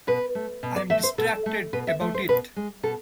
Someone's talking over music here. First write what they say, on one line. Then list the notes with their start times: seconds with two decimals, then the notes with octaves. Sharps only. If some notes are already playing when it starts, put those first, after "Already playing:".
I'm distracted about it.
0.07 B2 B4
0.35 A3
0.63 B2
0.76 D5
0.90 A3 E5
1.03 C5
1.18 B2 A4
1.46 A3
1.73 B2 B4
1.87 E5
2.01 A3
2.15 C5
2.29 B2 B4
2.56 G#3
2.83 B2 A4